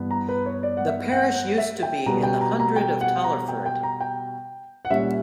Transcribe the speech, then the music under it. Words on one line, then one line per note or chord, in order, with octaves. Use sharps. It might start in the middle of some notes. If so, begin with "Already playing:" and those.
The parish used to be in the hundred of Tollerford.
Already playing: G2 E3 B3
A#5
B4
C#5
D5
F#5
E5
F#5
F#5
E5
G5
B2 G3 B3 A#5
G5
A#5
A#5
G5
F#5
A#5
G5
G5
A#5
G5
F#5
A#2 G3 C#4 E5